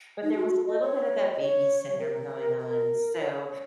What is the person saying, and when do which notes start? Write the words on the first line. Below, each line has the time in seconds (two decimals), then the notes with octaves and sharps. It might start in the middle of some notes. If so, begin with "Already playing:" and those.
but there was a little bit of that baby syndrome going on. So,
0.23 D#4
0.32 G#4
0.37 F#4
0.52 F#4
0.66 D#5
0.82 C#5
1.33 D#5
1.41 C#5
1.99 A#4
2.59 A#4
3.19 C#5